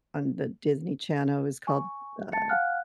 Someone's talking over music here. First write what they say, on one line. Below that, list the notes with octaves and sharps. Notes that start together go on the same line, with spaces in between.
on the Disney Channel, it was called, uh
G#5 C#6
A5 A6 C#7
F5 F#5 G#5 F6 F#6